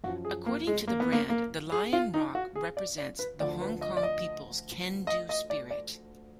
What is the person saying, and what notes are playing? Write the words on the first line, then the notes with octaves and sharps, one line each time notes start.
According to the brand, the Lion Rock represents "the Hong Kong people's 'can-do' spirit".
F#2 F3 F#4
G#4
A#3
G#3
A#3
B3
A#3
A#3
G#4
F4
D#4
F#4
G#4
D5
D5
B4
D2 D3 F3 D5
B4
D#5
D5
D#5
D#5
D#5
D5
D5